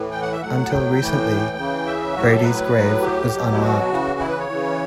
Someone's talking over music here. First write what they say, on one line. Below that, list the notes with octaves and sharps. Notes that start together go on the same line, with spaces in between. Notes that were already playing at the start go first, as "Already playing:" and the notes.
Until recently, Brady's grave was unmarked.
Already playing: A2 E3
G5
F#5
E5
A2 F#3 F#5
G5
A2 E3
C#3 E3
E5
A2 F#3 F#4
G4
A4
B4
A2 F#3
G4
B2 F#3
E4
F#4
C#3 E3
E4
B4
C#5
C#3 E3